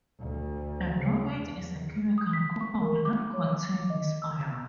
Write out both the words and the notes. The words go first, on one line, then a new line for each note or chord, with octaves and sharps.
A bromate is a chemical compound that contains this ion.
D2
C#3
E2
D#6
B6
C#6
A#4
D6
C#5
D6
D#5
E6